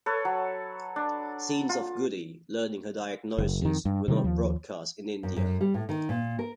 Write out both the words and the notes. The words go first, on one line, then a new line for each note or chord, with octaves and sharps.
Scenes of Goody learning her diagnosis were not broadcast in India.
A4 B4 C#5
F#3
D4
F4
F#1
F2 D#3
G2
C3 D#3 F3 G3
D#2 F3
F#2
F#2
G3
A2
D#3
A#2
A#4